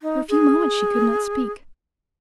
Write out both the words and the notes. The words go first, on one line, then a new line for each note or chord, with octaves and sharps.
For a few moments she could not speak.
D#4
G#4